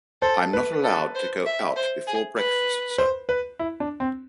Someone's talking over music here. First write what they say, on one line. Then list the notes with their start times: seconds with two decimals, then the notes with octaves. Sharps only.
I'm not allowed to go out before breakfast, sir.
0.22 A4 C5
0.53 B4
0.84 A4
1.15 C5
1.46 E5
1.76 C5
2.07 G#4
2.37 B4
2.98 C5
3.29 B4
3.59 E4
3.80 D4
4.00 C4